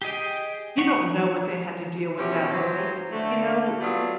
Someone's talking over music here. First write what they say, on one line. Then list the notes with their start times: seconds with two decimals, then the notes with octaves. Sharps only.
you don't know what they had to deal with that morning. You know,
0.02 G4 G#4 D#5 G5
0.78 C#4 F#5 C#6
2.18 B2 F3 C#4 E4 G4
2.52 G2 E3 F#3 C5
3.12 D3 A3
3.80 F#3 G3 A3 B3 F4